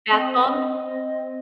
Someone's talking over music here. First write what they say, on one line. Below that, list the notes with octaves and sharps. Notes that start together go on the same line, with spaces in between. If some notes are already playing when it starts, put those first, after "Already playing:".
Bath bombs.
C4 D#5